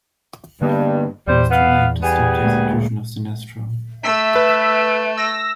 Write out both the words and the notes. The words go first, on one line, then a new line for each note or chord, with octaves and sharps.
He was too late to stop the execution of Sinestro.
G2 D3 A#3 B3
E2 G3 C5
B3 F5
G3 B3 G#4
D2 G#3 A#3
A3 E5 E6 B6
B4
E6 A#6